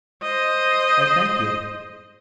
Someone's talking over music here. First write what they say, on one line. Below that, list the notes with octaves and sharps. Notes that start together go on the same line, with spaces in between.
'I thank you.
C5 D#5